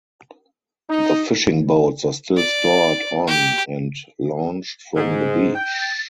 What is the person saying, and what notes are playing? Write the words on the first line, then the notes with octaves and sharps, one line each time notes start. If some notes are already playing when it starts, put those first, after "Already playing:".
The fishing boats are still stored on and launched from the beach.
D#4
D5
G4
G#2
G5